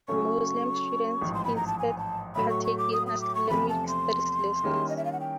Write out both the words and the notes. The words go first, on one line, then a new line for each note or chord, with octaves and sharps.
Muslim students instead partake in "Islamic Studies" lessons.
C#3 F#3 A3 C#4 C#6
A1 G#2 F3
C6
B5
A#5
A5
G#5
A5
A2 F#3 A3 B5
C#6
C#6
D6
D#6
D#6
D6
C#6
E2 C3 F3 A3 B5
A5
C6
D#3 G3 A#3 C#4 E4
D#5
E5
F5
F#5
G5